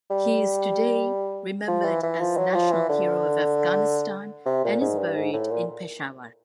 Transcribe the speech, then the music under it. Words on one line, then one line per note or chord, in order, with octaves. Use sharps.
He is today remembered as National Hero of Afghanistan and is buried in Peshawar.
G3
F3
E3
E3
F3
F#3
F3
E3
D3
C3
A#2
G#2
G2
G#2
A2
A#2